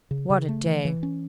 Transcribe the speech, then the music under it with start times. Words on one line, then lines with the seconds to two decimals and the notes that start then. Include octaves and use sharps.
What a day!
0.11 C#3
0.30 C#3
0.48 A3
0.66 E3
0.85 E3
1.03 C#4